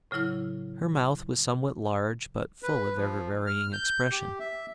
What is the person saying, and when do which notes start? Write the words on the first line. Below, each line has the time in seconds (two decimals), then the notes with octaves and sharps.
Her mouth was somewhat large, but full of ever-varying expression.
0.11 A2 C#3 F#3 E4 F6
2.63 B4
2.96 F3
3.47 F6
3.73 G6
4.11 G4
4.40 E5